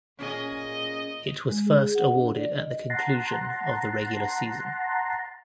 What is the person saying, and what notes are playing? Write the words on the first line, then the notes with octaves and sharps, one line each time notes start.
It was first awarded at the conclusion of the regular season.
A#2 C#4 G#4 D#5
G#3
G#4
F#5
D4
D5
D#5
F#5 A5 A#5 C6